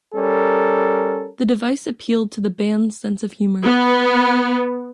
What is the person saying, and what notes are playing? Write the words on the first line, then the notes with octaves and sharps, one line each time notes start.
The device appealed to the band's sense of humour.
G3 C#4 A4 A#4
B3